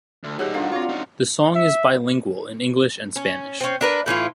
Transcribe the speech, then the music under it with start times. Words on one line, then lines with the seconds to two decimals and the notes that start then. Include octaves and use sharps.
The song is bilingual in English and Spanish.
0.24 D2
0.39 B2 G3 D#4 G4 G#4 C#5 E5
0.54 F3 F#3 D4 F4 A4
0.72 C4 F4 F#4 C#5 D5
0.89 C#4 D#4
1.55 E5
3.16 C#4
3.61 C4 C#4
3.81 D4 A#4 B4
4.06 A2 E3 C#4 F4